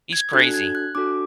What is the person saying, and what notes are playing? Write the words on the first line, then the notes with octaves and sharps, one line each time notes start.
He's crazy.
G#6
D4 F#4 A4 F#6
G#6
F#6
D4 F#4 A4 D6